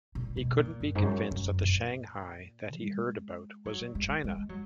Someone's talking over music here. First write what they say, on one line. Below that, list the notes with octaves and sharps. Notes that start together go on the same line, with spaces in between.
He couldn't be convinced that the Shanghai that he heard about was in China.
A#2
B2
A#2
F#2
G#2
F#2
F#2
A#2
G#3
F#3
G#3
G#3
F#3